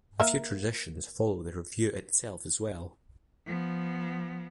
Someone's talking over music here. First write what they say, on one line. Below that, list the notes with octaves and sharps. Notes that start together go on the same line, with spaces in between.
A few traditions follow the revue itself as well.
A#3 A#4 E5
F3 B3